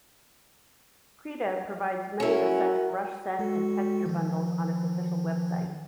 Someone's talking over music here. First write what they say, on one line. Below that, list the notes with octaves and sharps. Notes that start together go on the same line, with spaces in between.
Krita provides many of such brush set and texture bundles on its official website.
C#4 E4 F#4 A#4
G#3 F#4 A4
D#3 F3